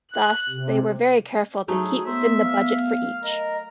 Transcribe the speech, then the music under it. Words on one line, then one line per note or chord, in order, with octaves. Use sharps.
Thus they were very careful to keep within the budget for each.
F#6
C3
F#3 A3 D#4 F#4 G#4
B3 C5 E5
F5
A#4 D#5